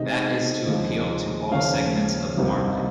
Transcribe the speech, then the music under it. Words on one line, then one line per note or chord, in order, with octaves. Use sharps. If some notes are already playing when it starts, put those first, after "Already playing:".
That is to appeal to all segments of the market.
Already playing: C3 D#3 G#3 D#4 D#5
D#2 C#3 F3 G#3 D#4
D#2 C#3 F3 A#3 C#4 F5
C2 C3 D#3 A#3 D#4